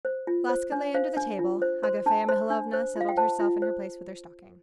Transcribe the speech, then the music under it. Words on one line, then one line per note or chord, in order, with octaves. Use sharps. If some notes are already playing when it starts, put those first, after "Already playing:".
Laska lay under the table; Agafea Mihalovna settled herself in her place with her stocking.
C5
F4
C5
D4
C5 F5
D4
F4
C5
C5 C6
D4 A5
C5 C6
D4
C5
F4
F5
G5
C5 A5
F4
C5